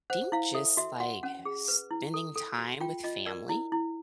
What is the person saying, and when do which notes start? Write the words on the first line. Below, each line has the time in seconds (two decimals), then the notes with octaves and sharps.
think just, like, spending time with family,
0.10 C5 F#5
0.32 E4 F5
0.55 A4 E5
0.77 F#4 E5
1.00 F#4 F#5
1.23 C#4 F#5
1.45 G#4
1.68 B4
1.91 E4
2.14 A4
2.36 A4
2.58 F#4
2.81 F4 G5
3.04 F4 D#5
3.26 A#4 D5
3.49 E4
3.72 E4